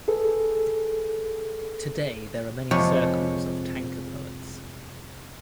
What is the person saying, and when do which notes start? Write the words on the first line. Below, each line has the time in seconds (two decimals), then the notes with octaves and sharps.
Today there are many circles of tanka poets.
0.08 G#4 A4 B4
2.71 F2 C3 G#3 A4 C#5 G#5